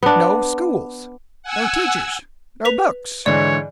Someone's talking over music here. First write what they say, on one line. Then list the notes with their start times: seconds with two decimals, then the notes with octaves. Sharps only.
No schools, no teachers, no books!
0.03 B3 D4
1.43 F#5 G#5 E6
2.65 B4 B6 F7
3.26 G#2 D3 E3 C#5 D5